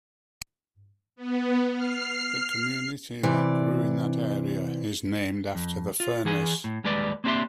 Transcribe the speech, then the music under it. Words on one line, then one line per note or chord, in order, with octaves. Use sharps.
The community that grew in that area is named after the furnace.
B3
F6 C7
C3 E3 D5
F2
F4
E3 G#4 F#5 G#5
A2
D#2 G3 G#3 B4 D5
A#3 C4 D4 G4 E5 C6